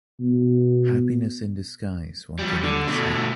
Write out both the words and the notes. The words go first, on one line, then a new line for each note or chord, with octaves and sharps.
Happiness in disguise, one can only say.
B2
F#3 G3
D3
B2 A3